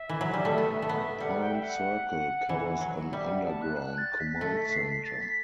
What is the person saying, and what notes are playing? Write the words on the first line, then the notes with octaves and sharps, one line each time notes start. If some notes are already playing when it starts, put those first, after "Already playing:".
Palm Circle covers an underground command center.
Already playing: E5
E3
F#3
G3
A3
B3
A3
B3
G3 F#5
G5
E5
F#5
E3
F#3
G3 E5
F#5
A5
F#6
F#6
A6
B6
A3 A6
B6
C7
B6
A6
B6